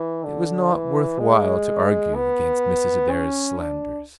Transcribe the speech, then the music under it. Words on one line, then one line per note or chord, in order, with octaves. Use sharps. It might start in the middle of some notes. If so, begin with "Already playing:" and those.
It was not worth while to argue against Mrs. Adair's slanders.
Already playing: E3
D3
E3
G#3
B3
C#4
D4